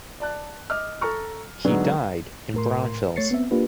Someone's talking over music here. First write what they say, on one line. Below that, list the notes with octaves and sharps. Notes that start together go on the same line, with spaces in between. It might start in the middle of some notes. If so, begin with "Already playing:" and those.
He died in Braunfels.
D5 A5 F#6
D#5 D6 F6
A4 A#5 C#6 F6
D3 F#3 G#3 B3 D4 D#4
A2 A#4 C6
A3 C#5 A6 C7 C#7
B3 C4 E5
A#3 D4 F4 G4 B4